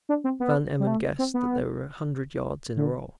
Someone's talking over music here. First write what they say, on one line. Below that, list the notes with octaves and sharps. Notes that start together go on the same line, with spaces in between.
Van Emmon guessed that there were a hundred yards in a roll.
D4
C4
B3
G3
A3
C4
B3
D3